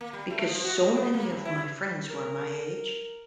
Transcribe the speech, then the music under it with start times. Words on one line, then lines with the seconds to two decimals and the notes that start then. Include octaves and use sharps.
because so many of my friends who are my age
0.01 A#3
0.13 G3
0.30 A3
0.48 F3
0.64 F#4
0.78 G2
0.97 B3
1.14 A#3
1.30 G2
1.45 E4
2.09 A#4